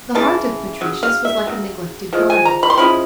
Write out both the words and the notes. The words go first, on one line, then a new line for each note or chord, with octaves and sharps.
The heart of Patricius was like a neglected garden.
C#3 E3 A5
C#3 F#3
F5
E5
C#3 F#3
F3 G#3
G#5
A#5
B5
C6
F3 G#3 C#4 E4 B5